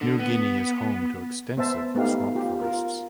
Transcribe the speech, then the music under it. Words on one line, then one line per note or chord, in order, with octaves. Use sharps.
New Guinea is home to extensive swamp forests.
D3
B3
B3 C5 E5 A5
A3 B3 D#4 G4 F5
F4 G4
F4 A#4